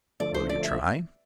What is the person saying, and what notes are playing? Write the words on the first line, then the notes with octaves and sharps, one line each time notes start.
"Will you try?"
D3 F3 A3 D5
C5
D5
E5